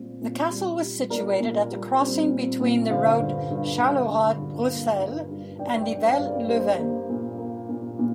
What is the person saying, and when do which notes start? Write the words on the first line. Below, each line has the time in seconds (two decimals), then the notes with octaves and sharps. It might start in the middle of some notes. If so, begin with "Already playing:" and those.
The castle was situated at the crossing between the road Charleroi-Bruxelles and Nivelles-Leuven.
Already playing: A#2 G3 C4
0.21 A#2
0.50 G3
0.81 G3
1.10 A#2 A#4 D5
1.40 A#2
1.70 G3
2.00 C4
2.30 A#2
2.61 A#2
2.90 D3 C5 F5
3.20 G2
3.50 G2
3.79 D3
4.09 D3
4.40 G2
4.70 A#3
4.99 G2
5.30 G2
5.59 G2 D5 G5
5.81 D5 G5
5.90 G2
6.03 C5 F5
6.19 G2
6.26 A#4 D5
6.49 A#3 G4 C5
6.79 A#3
7.09 A#2
7.38 A#3
7.69 A#2
7.99 A#2